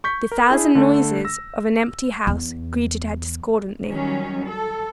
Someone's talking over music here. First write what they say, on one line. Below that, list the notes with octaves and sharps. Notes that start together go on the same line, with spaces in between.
The thousand noises of an empty house greeted her discordantly.
C#6 G6 B6
A#4
D4 E4 G#4
D3 A3 A4
E6 A#6
E2
D#3 F#3 G3 C#4
A4